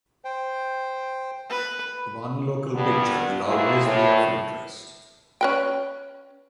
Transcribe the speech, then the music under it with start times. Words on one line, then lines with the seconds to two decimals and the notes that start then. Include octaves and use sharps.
One local picture will always be of interest.
0.25 C5 G5
1.50 B4
2.74 G2 B3
3.45 E3 F3 A#3 E4 F#4 G#4
3.85 A2
5.41 C#4 B4 G5